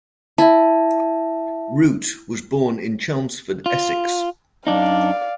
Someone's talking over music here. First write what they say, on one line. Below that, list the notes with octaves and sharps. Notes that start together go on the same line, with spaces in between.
Root was born in Chelmsford, Essex.
E4 E5 A5
F4
F#2 D4 D#4 D5 F5